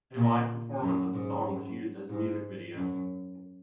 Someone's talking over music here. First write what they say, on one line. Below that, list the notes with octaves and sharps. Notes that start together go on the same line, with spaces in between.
A live performance of the song was used as a music video.
A#2
F#2
G#2
F#2
G#2
F#2